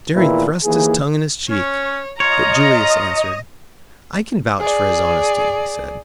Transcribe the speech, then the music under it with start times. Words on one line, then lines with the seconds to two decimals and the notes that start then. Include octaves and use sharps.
Jerry thrust his tongue in his cheek, but Julius answered, "I can vouch for his honesty," he said.
0.14 E2 A#2 D#3 E4 B4
0.64 D#2 E3 A#3 G#4
1.50 C#4 C#5
2.20 F4 C#5 D#5 A#5
4.59 G#4 D5